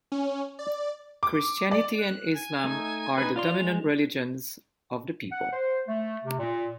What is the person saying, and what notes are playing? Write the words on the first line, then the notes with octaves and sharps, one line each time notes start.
Christianity and Islam are the dominant religions of the people.
C#4
D5
D6
D5
F#6
G#5
A3 D#4
D#4 B4
F4 D5 C6 F7
G#3
F#5
C5
A3
C3
A#2